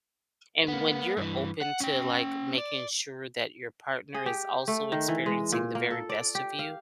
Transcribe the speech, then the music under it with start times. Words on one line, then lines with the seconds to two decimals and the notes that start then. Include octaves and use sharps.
And when you're open to, like, making sure that your partner is also experiencing the very best of you
0.68 A#3 B3
1.17 G2 E3
1.61 F#5
1.80 C#4 G5
2.58 D5
4.14 G#4
4.26 G4
4.68 A3
4.92 D#3
5.08 E3
5.26 G#3
5.52 A#2
5.75 A#3
5.90 A4
6.09 D5
6.35 G4
6.59 F5